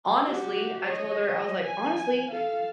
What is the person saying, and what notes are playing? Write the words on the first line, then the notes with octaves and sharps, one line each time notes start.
honestly, I told her, I was like, "Honestly,
F#4 G4
C#5 D#5
G#5
A4 F5